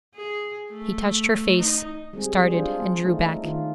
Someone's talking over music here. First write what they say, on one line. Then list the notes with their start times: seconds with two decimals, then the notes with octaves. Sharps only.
He touched her face, started, and drew back.
0.15 G#4
0.71 A3
1.59 D#4
2.13 G3 G#3 C4 G#4
2.50 D4 F4 G#4 C5
3.04 A3 D#4
3.44 D#3 F4